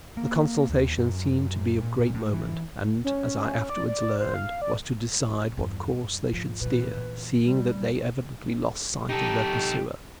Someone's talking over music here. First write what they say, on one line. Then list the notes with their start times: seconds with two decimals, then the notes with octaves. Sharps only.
The consultation seemed to be of great moment; and, as I afterwards learned, was to decide what course they should steer, seeing that they evidently lost sight of their pursuer.
0.17 A#3
0.70 D#2
0.98 F#2
1.79 A#2
1.99 A#2
2.14 A2
2.33 E3
3.04 C#4
3.69 D5
3.88 D5
4.20 C5
4.34 F5
4.62 D5
5.57 E2 G2
6.00 F#2
6.33 G#2 F3
6.61 A#2 E3 B4
7.44 G3
9.09 D#4 G4 A4